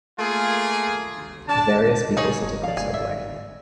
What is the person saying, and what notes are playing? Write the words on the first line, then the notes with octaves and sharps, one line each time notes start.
Various people sitting on a subway.
A3 A#3 F4 G#4
D4 A5
B2 D#4 G#4 C#5
F1 G2
F3 D5 F5
F#1 A2 G#3 G#5
G1 G#2 E5